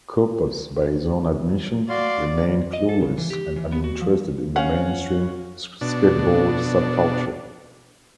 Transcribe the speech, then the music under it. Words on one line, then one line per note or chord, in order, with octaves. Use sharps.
Kaupas by his own admission remained clueless and uninterested in the mainstream skateboard subculture.
F#4 D5 F5 C6
D#5
A4
C#3
E3
G4
E3
B3
F#4
F3
C#4 F5 F#5
B2 D4